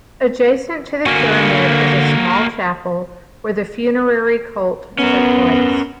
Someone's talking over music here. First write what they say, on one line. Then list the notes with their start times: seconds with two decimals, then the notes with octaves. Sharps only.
Adjacent to the pyramid is a small chapel where the funerary cult took place.
1.06 D3 A#3 F#4 G#5
4.99 B3 C#4 A#4